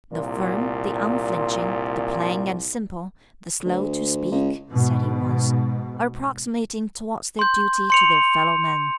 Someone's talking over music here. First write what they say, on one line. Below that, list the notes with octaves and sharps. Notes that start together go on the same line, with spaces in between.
"The firm, the unflinching, the plain and simple, the slow to speak," said he once, "are approximating towards their duty to their fellow-men."
C2 A#2
D2
C#2
G#2 B2
C6 G6
C6 C#7 F7